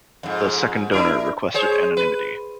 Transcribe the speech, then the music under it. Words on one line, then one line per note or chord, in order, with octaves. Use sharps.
The second donor requested anonymity.
F2 G#2
D4 E4 A#4
G#4 C5 C#5
B4